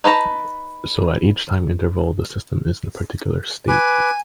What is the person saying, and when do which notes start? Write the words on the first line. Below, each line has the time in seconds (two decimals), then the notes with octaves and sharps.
So at each time interval the system is in a particular "state".
0.04 D#4 B4 A5 A#5
3.68 B4 G#5 D6